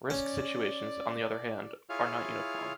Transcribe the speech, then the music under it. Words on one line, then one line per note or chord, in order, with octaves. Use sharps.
Risk situations, on the other hands, are not uniform.
C#4 D5
E4 F4 G#4 C#5 F5 F6